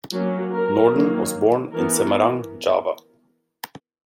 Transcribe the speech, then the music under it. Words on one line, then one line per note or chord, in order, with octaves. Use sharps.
Norden was born in Semarang, Java.
F#3 A#3 C#4
A#4
D#3 F#3 A#3
E3 B3 A#4